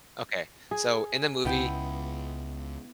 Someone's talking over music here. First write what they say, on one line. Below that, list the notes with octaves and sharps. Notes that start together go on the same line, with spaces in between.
Okay, so, in the movie,
G#4
C#2 B3 E4 G5